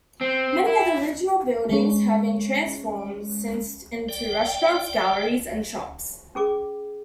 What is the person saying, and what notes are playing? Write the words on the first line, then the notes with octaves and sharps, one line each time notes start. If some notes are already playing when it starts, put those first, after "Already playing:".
Many of the original buildings have been transformed since into restaurants, galleries and shops.
C4
E4
G#3 C#4
D5 G5
C#4 G#4 D6